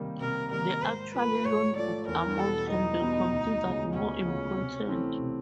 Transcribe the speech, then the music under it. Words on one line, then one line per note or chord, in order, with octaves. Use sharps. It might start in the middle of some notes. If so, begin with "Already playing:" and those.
The actual loan book amount can be considered more important.
Already playing: C3 D#3 G3 A#3 D#4
C3 A#4
D#3 G3 A#3 D#4 A#4
G#2 C5
F3 A3 B4
G#2 C#5
F3 A3 D5
E2 A#4
B2 G3 B3 A4
E2 D#4
B2 G3 B3
D2
C#3 F3 G#3 B3
D2 C#4
C#3 F3 G#3 B3
C3
E3 A3 C4
C3